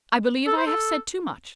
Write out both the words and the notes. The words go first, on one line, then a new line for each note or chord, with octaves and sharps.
I believe I have said too much.
A4
C5
A4